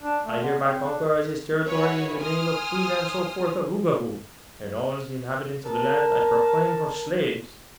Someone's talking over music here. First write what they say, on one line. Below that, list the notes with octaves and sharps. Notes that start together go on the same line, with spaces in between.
"I hereby conquer this territory in the name of Queen Ann Soforth of Oogaboo, and all the inhabitants of the land I proclaim her slaves!"
D4
A3
D3
C4
D4
E4 F#4 G#4 B4 C#5
G#5 C6 D#6 F6
A#4 A5